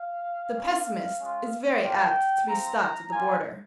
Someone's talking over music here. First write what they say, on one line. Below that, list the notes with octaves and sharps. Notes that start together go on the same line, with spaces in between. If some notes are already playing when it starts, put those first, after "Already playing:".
The pessimist is very apt to be stopped at the border.
Already playing: F5
A#3 C#4 F4
G#3 C#4 F4
A#3 F4 G5
C4 F4 A#5
G3 A#3 F4 G#5